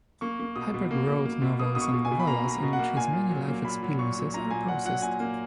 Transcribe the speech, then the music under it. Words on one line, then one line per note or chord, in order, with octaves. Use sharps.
Heiberg wrote novels and novellas in which his many life experiences are processed.
A#3 C#6
A#3
B2 D#6
B2
A#3
A#3
A#3
B2
A#3 D#6
B2 D#6
C#6
B2
G#5
B2
B5
A#3 A#5
B2
A#5
B2
F#5
A#3
A#2 G#5
A#2
F#3
A#3
A#2 B5
F#3
A#2 C#6
F#3
A#2 A#5
A#2 G#5
A#2 F#5
F#3 F#5
A#2 G#5
A#3